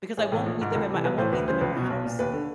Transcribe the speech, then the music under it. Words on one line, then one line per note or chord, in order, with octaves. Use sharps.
Because I won't eat them in my I won't eat them in my house.
A1 G#4
A2 E3
A#1
G#2 D#3
A#4
C#2 A4
C3 E3
B1 B4
A2 E3 C5
D2 B4
C#3 E3 C5
C#2 B4
B2
B1
A#2
D#2 B4
D3